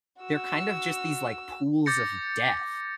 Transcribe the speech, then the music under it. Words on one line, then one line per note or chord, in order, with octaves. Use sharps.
they're kind of just these, like, pools of death,
F#4 E6
D6 G6 A6 A#6 C#7